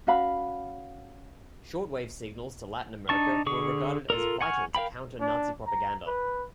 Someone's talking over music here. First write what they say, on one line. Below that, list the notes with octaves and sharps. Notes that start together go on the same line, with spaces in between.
Shortwave signals to Latin America were regarded as vital to counter Nazi propaganda.
C#4 F#4 F5 B5
D4 D#4 A5 C#6
D3 G#4 C#6
F4 A4 A#4
F#5 G#5 C#6 F6
A#4 F5 G5 B5
D4
A#5
B4